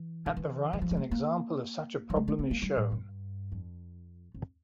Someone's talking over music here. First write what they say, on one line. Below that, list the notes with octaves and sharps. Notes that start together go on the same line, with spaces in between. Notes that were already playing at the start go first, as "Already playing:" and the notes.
At the right an example of such a problem is shown.
Already playing: E3
D3
E3
E3
F3
G3
A3
A#3
G3
A3
A3
A#3
A#3
G3
A2
G2
F2
F2